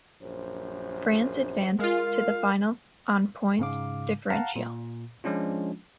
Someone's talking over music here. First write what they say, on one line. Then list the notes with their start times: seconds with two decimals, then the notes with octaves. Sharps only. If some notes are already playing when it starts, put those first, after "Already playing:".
France advanced to the final on points differential.
0.21 A#1 F#2 C5
1.79 G#3 F4 A#4 F5
3.59 G#2 C#3 F5 D6
4.30 F5 F#5 A5 A#5
4.56 A#2
5.24 F3 G#3 C#4 D4 F4